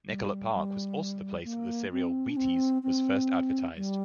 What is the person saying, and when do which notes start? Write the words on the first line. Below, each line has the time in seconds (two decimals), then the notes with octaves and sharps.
Nicollet Park was also the place that the cereal Wheaties was first advertised.
0.07 G3
0.53 G3
1.44 A#3
1.92 C4
2.30 D4
2.37 C4
2.83 C4
3.76 G3